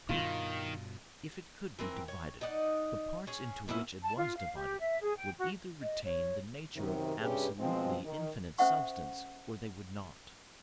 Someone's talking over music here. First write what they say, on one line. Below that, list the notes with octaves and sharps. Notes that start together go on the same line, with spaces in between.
Proof.--If it could be divided, the parts into which it was divided would either retain the nature of absolutely infinite substance, or they would not.
G2 B2 D#3 F4
E3 C4 A#4 G5
C#5
D#4 D5 D#5 F#5
C#4 G#4
A#3 B3 C#4 E4
A5
F4
F5
G4
E5
G#4
G5
F#4
D#5
C#5
F#2 C3 D#3
G2 C3 C#4 G4 G#4 B4
B2 F3 G#3 C4
D#3
C#4 A4 C5 E5 F#5 C#6